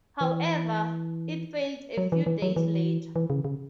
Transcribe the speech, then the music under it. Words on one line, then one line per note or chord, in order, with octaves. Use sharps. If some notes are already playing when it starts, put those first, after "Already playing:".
However, it failed a few days later.
E3
F#3
E3
E3
F#3
E3
E3
C#3
C#3